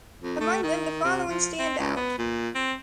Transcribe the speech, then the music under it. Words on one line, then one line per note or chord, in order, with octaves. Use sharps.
Among them, the following stand out.
F2
A3
D#3
C3
F3
C4
C#2
B3
A#2
C4